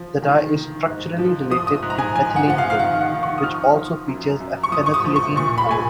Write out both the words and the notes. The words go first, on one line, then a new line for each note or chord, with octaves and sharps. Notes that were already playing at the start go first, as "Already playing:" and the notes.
The dye is structurally related to methylene blue, which also features a phenothiazine core.
Already playing: F3
D#3
D#3
G#2
F3
F3 D#6
D#6
G#2
A#5
G#5
F3 G#5
F#5
F3 F#5
F5
F5
D#3 F#5
F#5
D#3
C#6
D#6
F3 F6
F3
F#2
F#2
C#6
F3 D#6
C#6
D#6
F3
C#6
A#2 C#6
B5
A#2 G#5